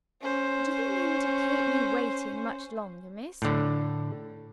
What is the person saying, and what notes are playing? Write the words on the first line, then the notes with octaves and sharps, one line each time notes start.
"Do you mean to keep me waiting much longer, miss?"
C#4 C5
A2 D3